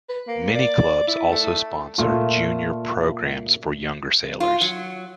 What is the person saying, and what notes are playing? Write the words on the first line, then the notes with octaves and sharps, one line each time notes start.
Many clubs also sponsor junior programs for younger sailors.
B4
A#3
D5
E4
A3
A#2 A3 F4
F4
F#3